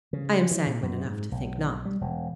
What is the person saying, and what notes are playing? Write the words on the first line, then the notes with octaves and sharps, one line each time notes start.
I am sanguine enough to think not.
C#3
E3
A#2
F#2
G#2
B1
G3
E1